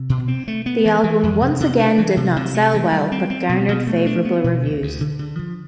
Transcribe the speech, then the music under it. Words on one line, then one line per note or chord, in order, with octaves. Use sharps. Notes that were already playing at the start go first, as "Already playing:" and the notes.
The album once again did not sell well but garnered favorable reviews.
Already playing: C3
B2
C4
A3
B3
E3
E3
F2
C3
C3
D4
E3
C3
C3
A3
E3
G3
C4
C4
B2
B2
A3
D4
B3
B2
D2
D2
D3
D3
F3